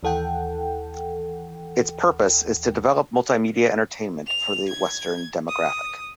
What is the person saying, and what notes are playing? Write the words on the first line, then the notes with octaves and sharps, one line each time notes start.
Its purpose is to develop multimedia entertainment for the western demographic.
D#2 E3 A4 F#5 G5
F7
G#6
D#6